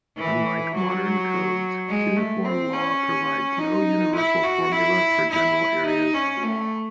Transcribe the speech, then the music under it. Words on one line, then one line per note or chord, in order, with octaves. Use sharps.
Unlike modern codes, Cuneiform law provides no universal formula for general areas of law.
E3
F#3
G#3
A3
C4
C#4
D#4
E4
F#4
E4
E4
D#4
C#4
A3